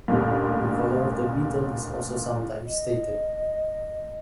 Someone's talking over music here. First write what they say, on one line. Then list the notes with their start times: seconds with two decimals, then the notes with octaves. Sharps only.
The color of the Beetle is also sometimes stated.
0.08 A1 D2 G2 A#2
2.66 D#5